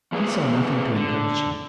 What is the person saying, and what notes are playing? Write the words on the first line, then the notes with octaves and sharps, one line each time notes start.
He saw nothing to encourage him.
F3 A#3 C4 G#4 B4
D3